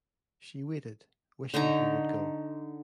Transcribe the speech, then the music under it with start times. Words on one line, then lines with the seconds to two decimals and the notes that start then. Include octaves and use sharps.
She waited, wishing he would go.
1.54 D3 D#4 C#5 A#5